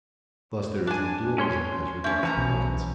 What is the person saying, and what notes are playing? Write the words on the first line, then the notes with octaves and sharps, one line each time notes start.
Thus there is no dualism as regards acquaintance.
D4 G#5
C#4 C#5 C6
A3 C#4
E3 F3 C#4 A5 A#5
B1